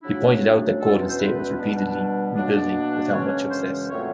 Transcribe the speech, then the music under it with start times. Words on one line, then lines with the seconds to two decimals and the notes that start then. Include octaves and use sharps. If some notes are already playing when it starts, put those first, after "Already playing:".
He pointed out that Golden State was repeatedly rebuilding without much success.
0.03 C#3 F#3 A3 D4 E4
0.81 E2 B2 G#3 C#4 A4
1.09 C5
1.19 B4
1.58 B2 G3 B3 D4
2.35 B2 F#3 A#3 D4
3.13 F#2 C#3 E3 G#3 C#4 C#5
3.51 C5
3.90 A#2 F#3 A3 C4 C#5